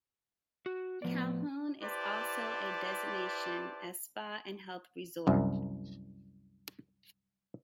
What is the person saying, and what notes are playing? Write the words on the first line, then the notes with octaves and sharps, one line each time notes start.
Cahul is also a destination as spa and health resort.
F#4
A2 F3 B3 D5
E4 G4 B4 C5 D5 A5
C2 F#2